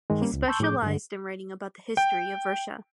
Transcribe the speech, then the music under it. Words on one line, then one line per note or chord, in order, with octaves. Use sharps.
He specialized in writing about the history of Russia.
G2 D#3 G#3
G3 A#3 C#4
C#2
A5 C6 C#6 E6 G6
A2 F3 G#4 D6 G6
G2 D3
G5